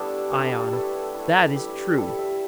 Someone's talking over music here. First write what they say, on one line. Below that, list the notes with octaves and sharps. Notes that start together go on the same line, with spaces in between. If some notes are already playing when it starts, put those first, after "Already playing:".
ION: That is true.
Already playing: G3 A3 B3 D4 E4 G4 A4
G3 B3 D4 A4
A4
A4
A3 E4 B4
A3 E4
G3 E4 G4
G3 E4 A4
E5